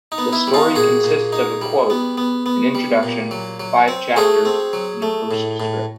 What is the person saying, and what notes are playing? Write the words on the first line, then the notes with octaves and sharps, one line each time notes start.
The story consists of a quote, an introduction, five chapters, and a postscript.
D#4
B3
E4
G3
D#4 F4
A#2 F#4 G#4
A#2
D#4
G3
B3
B3
B3
G3
A#2
F#3
F#3
C4
A3 F#4 G#4
C4
F#3
A3
A2
A2